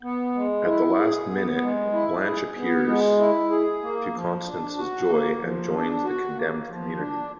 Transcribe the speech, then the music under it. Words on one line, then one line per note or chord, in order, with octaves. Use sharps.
At the last minute, Blanche appears, to Constance's joy, and joins the condemned community.
B3
G#3
E4
G#4
B3
G#3
E4
G#4
B3
G#3
E4
G#4
A#3
F3
D4
F#4
A#3
F3
D4
F#4
A#3
F3
D4